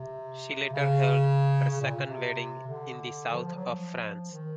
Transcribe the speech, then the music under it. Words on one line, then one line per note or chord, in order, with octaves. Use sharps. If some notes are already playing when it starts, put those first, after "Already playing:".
She later held her second wedding in the South of France.
Already playing: C3
C#3
C#3
A#2
C3
D3
F3
F3
F#3
F3
D#3